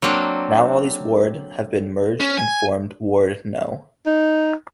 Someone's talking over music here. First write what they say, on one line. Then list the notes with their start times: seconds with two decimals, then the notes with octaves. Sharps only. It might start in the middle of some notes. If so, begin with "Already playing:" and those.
Now all these ward have been merged and formed ward no.
0.02 F#3 A#3 C4 D4
2.20 C#4
2.38 G#5
4.06 D#4